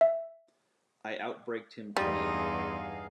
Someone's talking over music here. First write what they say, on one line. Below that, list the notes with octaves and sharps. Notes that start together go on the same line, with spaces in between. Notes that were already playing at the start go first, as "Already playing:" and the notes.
I outbraked him clean.
E5
E2 G2 G3 B3 D#4 G#4 F5 C6